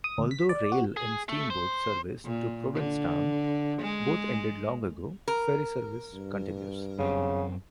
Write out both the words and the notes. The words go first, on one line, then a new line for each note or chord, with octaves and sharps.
Although rail and steamboat service to Provincetown both ended long ago, ferry service continues.
D#6
D2
B6
D5
F#4
G#4
A3
C5
A#2
D3
G#3
A#4
G2
F#2 C#3 C4